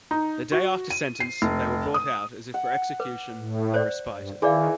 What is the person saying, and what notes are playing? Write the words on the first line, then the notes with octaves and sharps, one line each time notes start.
The day after sentence they were brought out as if for execution and respited.
D#4
F#4
D#7
C7
F1
D#6
F#5
B4 D6
A2
C5 D5
G2
D#3 E3 G#4 D5 F5